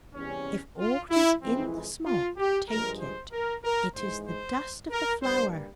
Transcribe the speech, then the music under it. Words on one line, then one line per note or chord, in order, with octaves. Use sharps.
If aught is in the smock, take it; it is the dust of the flower.
E2 C3 G3 C#4
F4
E4
F2 E3 G#3 C4
F4
G4
G2 F3 G#3 A#4
C5
A#4
A#4
G#2 E3 G#3 C5
C5
A#4
G2 G3 A#3 C5